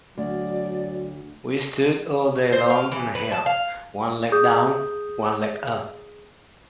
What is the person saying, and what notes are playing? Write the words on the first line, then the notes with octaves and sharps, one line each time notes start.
We stood all day long on a hill, one leg down, one leg up.
D2 F#3 D5
C5
F5
E3
B4
A5
F5
G#4 D#6 G6